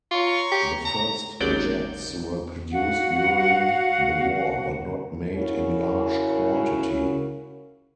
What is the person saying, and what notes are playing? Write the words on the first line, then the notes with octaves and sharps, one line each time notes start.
The first jets were produced during the war but not made in large quantity.
F4 C#5 A#5 C#6
G4
A#5
G#1 D#2 C#3 F#3 D5 G6
F#4 F5 F#5
C#3 C#4 E4 F#4 A#4